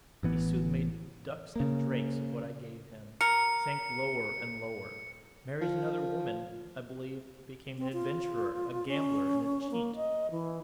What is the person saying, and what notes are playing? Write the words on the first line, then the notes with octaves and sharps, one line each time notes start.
He soon made ducks and drakes of what I gave him, sank lower and lower, married another woman, I believe, became an adventurer, a gambler, and a cheat.
A1 E3 B3
C#3 A#3
A#4 C#7
F3
C4
F4
C#4
A#3
D#5
E3